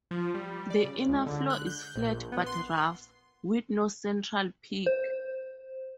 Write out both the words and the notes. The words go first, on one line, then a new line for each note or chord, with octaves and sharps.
The inner floor is flat but rough, with no central peak.
F3
G3
D5
C#3
C#2
D3
F#6
G6
A#1
B3
C6
C5